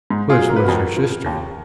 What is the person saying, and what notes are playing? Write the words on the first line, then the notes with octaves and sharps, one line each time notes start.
Puss was her sister.
G#2
F4 G#4
F#3
A#4
B4
F2 F#4 A#4
F3
D#2